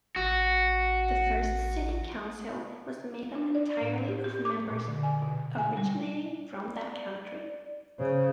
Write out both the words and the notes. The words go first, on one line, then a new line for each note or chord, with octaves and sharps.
The first City Council was made up entirely of members originating from that country.
A1 F#4
D4
D5
A2
G4
G4
D6
A#2
D3
G#5
B2
G#5
G3
D5
C#3 C5